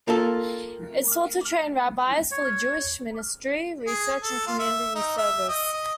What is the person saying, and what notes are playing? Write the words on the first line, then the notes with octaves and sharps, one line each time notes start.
It sought to train rabbis for the Jewish ministry, research, and community service.
A#3 F4 A4
C#5
G#4
A4
F4
E5
D#4
E5
D#5
D#5